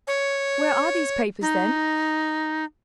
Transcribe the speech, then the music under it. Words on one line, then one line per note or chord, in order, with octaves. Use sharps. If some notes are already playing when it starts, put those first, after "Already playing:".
"Where are these papers, then?"
C#5
D#4